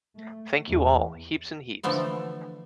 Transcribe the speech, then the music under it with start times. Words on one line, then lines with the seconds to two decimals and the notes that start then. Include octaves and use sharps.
Thank you all, heaps and heaps!
0.16 A3
0.68 E2
1.83 D3 E3 F3 A3 B3